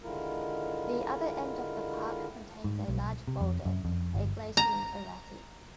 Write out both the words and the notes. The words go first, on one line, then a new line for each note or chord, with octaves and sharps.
The other end of the park contains a large boulder, a glacial erratic.
D3 D#3 G#3 E4 F4 A#4
G#2
B1
C3
F2
F#2
F2
G1
A#5